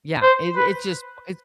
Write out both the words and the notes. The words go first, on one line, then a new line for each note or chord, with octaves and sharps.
Yeah. It it's just it's
C5
B4